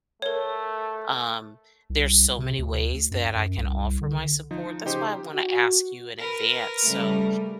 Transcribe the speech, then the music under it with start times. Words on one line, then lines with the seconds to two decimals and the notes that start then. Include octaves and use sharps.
Um, there's so many ways that I can offer my support, that's why I wanna ask you in advance, so
0.22 A3 A#4 C#5
1.90 C2
2.38 C3
2.59 D2
3.11 F#2
3.35 F#2
3.57 C2
4.01 D3
4.51 F3 D#4
4.85 C#3 D#4 G4 C5
5.34 F#4
6.18 A#4 B4
6.85 C#3 G3 A3